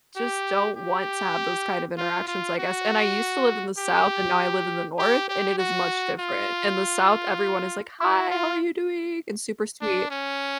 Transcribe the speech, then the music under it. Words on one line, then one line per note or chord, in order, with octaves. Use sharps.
just don't want to have those kind of interactions, I guess, and I used to live in the South, and now I live in the North, and it is much different. In the South, everyone is like, "Hi, how are you doing?" and super sweet,
G4
G4
F4
F4
F#4
G4
G4
G4
F#4
F4
E4
F4
D4
C#4